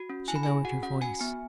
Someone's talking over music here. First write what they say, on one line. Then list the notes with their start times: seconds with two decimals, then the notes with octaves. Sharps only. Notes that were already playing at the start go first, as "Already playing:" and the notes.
She lowered her voice.
Already playing: F#4
0.09 C#4
0.28 E4 G#5
0.36 B5
0.43 G#5
0.46 G#4
0.65 F#4 F#5
0.83 C#4 F#5
1.01 F#4 G#5
1.19 B3 G#5